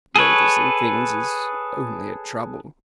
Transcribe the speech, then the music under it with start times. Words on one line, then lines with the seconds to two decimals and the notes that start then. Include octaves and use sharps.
Noticing things is only a trouble.
0.16 G#4 A4 B4 C#5